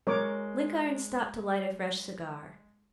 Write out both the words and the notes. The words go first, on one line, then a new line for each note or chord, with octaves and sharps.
Blenkiron stopped to light a fresh cigar.
G#3 A#4 C#5 D6